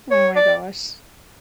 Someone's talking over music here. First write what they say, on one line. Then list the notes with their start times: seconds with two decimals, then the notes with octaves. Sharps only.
Oh my gosh.
0.11 C#5
0.36 D5